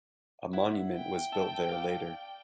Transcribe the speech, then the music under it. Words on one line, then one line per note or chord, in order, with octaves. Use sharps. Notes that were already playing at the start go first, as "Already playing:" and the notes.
A monument was built there later.
E4 F#5
G5
E5 A5
D5 F5